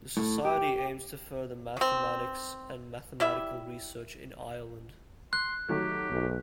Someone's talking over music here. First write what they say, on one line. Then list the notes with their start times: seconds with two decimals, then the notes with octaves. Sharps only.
The society aims to further Mathematics and Mathematical research in Ireland.
0.17 A2
0.45 G4
1.77 D#3 C4
3.20 G3 E4 E5
5.33 C6 F#6
5.68 D#3 F#3 A3 G4
6.10 B1